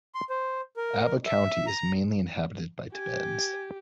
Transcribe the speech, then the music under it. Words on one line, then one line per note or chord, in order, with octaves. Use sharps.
Aba County is mainly inhabited by Tibetans.
C6
C5
A#4
E5
A#5
G4 G#5